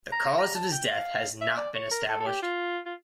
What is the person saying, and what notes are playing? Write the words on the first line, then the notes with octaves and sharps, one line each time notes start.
The cause of his death has not been established.
A#5
A#5
A5
G5
F5
E5
D5
C#5
A#4
A4
A4
G4
F4
F4